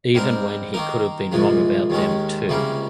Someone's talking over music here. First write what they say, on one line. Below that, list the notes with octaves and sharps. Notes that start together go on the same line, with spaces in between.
Even when he could have been wrong about them too.
G#2 G3 C4 G4 A#4
D#3 A#3 D#4 A#4
C2 A#2 F3 G#3
D#2 D#3 G#3 C#4
C#2 C3 G3 A#3 C#4